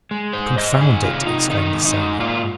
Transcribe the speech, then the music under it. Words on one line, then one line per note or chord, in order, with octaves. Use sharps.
"Confound it!" exclaimed the sailor.
G#3
G#2 C5
G#2 D#5
D#3 G#4
C3 F4
C3 D#4
D#3 D#4
G#2
D#4
G#2
A#3 F4